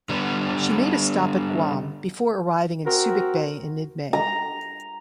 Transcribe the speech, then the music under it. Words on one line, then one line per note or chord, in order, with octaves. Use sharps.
She made a stop at Guam before arriving in Subic Bay in mid-May.
D3 G3 B3
C4 F#4 A#4
A#5